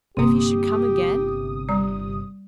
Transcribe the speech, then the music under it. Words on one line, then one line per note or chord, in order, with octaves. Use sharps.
"But if he should come again?"
G1 C3 A#3 C4 G4 D#6
G3 A#5